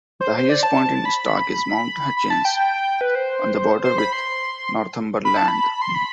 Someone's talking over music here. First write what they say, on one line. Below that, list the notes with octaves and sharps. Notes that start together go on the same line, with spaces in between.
The highest point in Stark is Mount Hutchins, on the border with Northumberland.
C5
C5
D5
A5
B5
B5
A5
G5
B4
C5
C5
B5
C6
B5
A5
B5
C6
B5